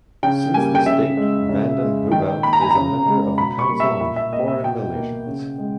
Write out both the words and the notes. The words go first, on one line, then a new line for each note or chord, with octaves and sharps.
Since this date, vanden Heuvel is a member of the Council on Foreign Relations.
C#3 G5
G3 A#3 G#5
G5
C#3 E5
G#3
C#3
G#3
D#3 G5
A#3 B5
A#5
G#5
C#3 A#5
G#3
B2 B5
C#6
G3 A#3
E5
A#2 E5
E5
A#3 D#5
E5
B2 G5
A#3
C#3
G#3